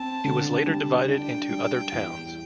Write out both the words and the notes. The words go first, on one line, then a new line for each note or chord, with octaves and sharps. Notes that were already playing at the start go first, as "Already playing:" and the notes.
It was later divided into other towns.
Already playing: C4 A5
D3
G3
D4 G5
G3
E2